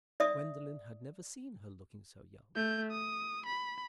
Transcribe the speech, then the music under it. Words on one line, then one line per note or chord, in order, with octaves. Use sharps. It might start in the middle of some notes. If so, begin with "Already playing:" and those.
Gwendolen had never seen her looking so young.
D5 E5 D#6
A3 G6
D#6
B5